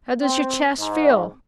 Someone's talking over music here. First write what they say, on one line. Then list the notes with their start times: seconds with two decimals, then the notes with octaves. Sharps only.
"How does your chest feel?"
0.21 C4
0.79 G#2